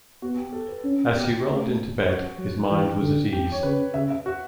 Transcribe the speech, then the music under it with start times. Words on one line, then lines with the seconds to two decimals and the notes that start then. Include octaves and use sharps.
As he rolled into bed his mind was at ease.
0.22 B3 F#4
0.37 G4
0.53 A4
0.68 B4
0.84 C#4
1.15 B3 G4
1.46 A3
2.08 F#4
2.39 F#3
2.70 E3 G4
3.01 D3
3.33 G4
3.52 C#5
3.63 C#3 B4
3.94 C#3 E5
4.10 E5
4.26 F#4